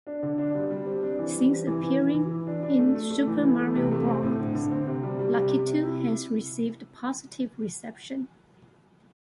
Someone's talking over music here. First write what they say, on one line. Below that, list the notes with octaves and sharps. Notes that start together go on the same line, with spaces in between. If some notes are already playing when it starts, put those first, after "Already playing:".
Since appearing in "Super Mario Bros.", Lakitu has received positive reception.
D4
D3
D4
G3
G3
C4
D4
E3
G3
C4
E3
E3
E3
E3
E4
D4
D4
A3
A3
A3
E3
E3
A3
C3
A3
C4
A2
D3
D3
C4
C3
G3
G3
C3
C3
C3
E4